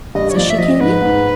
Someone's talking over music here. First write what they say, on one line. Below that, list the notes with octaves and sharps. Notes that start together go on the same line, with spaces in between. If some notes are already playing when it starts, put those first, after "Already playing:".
So she came in.
G2 D#5
C#5
F3 D5
E5
F3 D#5
G#2 B4
G#2